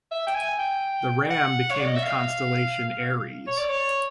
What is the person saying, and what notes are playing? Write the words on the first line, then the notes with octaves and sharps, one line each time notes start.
The ram became the constellation Aries.
E5
G5
G#5
G5
F#5
C#5
D5
D#5
E5
F5
C#5
D5
C#5